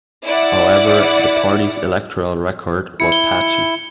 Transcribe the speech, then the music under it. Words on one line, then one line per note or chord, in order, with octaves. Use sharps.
However, the party's electoral record was patchy.
E4 D5 F#5
E4 C#7
G7